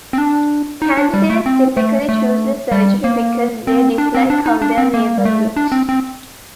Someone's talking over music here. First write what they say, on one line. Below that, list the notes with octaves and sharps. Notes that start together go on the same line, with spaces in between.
Candidates typically choose the surgery because they dislike how their navel looks.
C4
D4
D#4
D4
G3
A3
C4
A3
A3
G3
A#3
C4
D4
C4
D4
D#4
D4
C4
A#3
G3
A3
D4
C4
C4